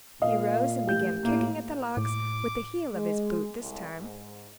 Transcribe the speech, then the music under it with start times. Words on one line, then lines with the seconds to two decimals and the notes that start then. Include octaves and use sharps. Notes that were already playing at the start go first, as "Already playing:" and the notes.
He rose and began kicking at the logs; with the heel of his boot this time.
0.22 A#2 D#5 F5
0.87 A1 G4 G6
1.25 A2 A#3 E4
1.97 A2 D6
2.93 G#3
3.59 C2
3.95 G#2